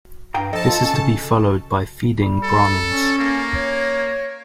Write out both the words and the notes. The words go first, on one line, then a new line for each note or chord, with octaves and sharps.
This is to be followed by feeding Brahmins.
G2 F5 G5 A#5
F3 A4 D#5 A5
F4
C#4
C#3
G3
A4
C#4
A#3
C#5